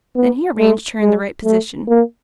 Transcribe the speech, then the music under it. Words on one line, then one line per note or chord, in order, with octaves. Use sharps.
Then he arranged her in the right position.
B3
A3
G#3
A3
A#3